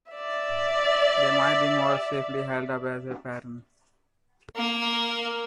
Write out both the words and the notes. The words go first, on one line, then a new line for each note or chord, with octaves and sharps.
They might be more safely held up as a pattern.
D5 E5
A#3 A#4